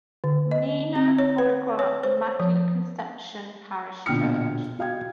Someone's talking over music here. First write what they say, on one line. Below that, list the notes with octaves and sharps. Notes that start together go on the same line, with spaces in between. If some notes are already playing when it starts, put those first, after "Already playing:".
Nino, Guagua, Immaculate Conception Parish Church.
D3
D#5
C4
C#5
B4
C#5
C5
F3
A#1 B2 D3 G5 F6 C#7
F#4 F5 G5 G#6